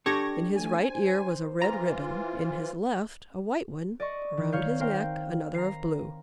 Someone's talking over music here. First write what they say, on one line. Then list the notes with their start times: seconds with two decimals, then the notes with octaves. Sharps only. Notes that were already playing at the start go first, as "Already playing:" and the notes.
In his right ear was a red ribbon, in his left a white one; around his neck another of blue.
0.06 D4 G4 A4 C#6 G#6 A#6
0.55 A3 G#5
0.86 C5
1.62 E3 F4 A#5
4.00 D5 D#5 C#6
4.37 E3
4.52 D#3 C#5 F5 G6 C#7
4.80 C4 A#4 C5 F5 G5
5.54 A#5 C7